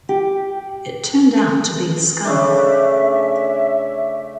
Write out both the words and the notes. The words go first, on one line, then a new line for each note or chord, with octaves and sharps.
It turned out to be a scarf.
G4
C#3 A3 D4 E5